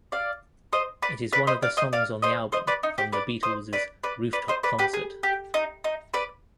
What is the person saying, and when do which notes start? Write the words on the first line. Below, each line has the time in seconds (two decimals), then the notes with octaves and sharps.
It is one of the songs on the album from the Beatles' rooftop concert.
0.12 D5 F5
0.73 C5 D#5
1.02 B4 D5
1.32 B4 D5
1.47 C5 D#5
1.62 D5 F5
1.77 C5 D#5
1.93 D5 F5
2.22 C5 D#5
2.52 C5 D#5
2.67 B4 D5
2.83 D#4
2.98 G4
3.13 B4 D5
3.43 C5 D#5
3.73 B4 D5
4.03 B4 D5
4.33 B4 D5
4.48 C5 D#5
4.63 B4 D5
4.79 G4 B4
4.93 G#4
5.23 G4
5.54 D#4
5.84 D#4
6.14 B4 D5